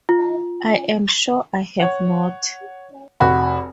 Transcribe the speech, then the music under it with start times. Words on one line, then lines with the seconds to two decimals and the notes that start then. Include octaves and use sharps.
I am sure I have not.
0.09 F4
1.80 C#5 F#5
3.20 F1 F#4 B5